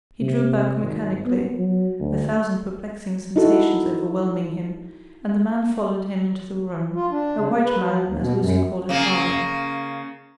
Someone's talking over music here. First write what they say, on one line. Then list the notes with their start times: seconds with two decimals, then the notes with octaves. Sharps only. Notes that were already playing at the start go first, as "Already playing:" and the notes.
He drew back mechanically, a thousand perplexing sensations overwhelming him, and the man followed him into the room--a white man, as Lucy called her father.
0.21 C3
0.81 G#1
1.25 B3
1.58 F#3
2.00 D2
3.36 D#4 E4 F#4 A4
6.96 F4
7.11 D4
7.37 C#3
7.51 A#3
7.65 B4
7.79 F#3
8.07 D#2
8.19 B2
8.40 F#2
8.89 C#3 A#3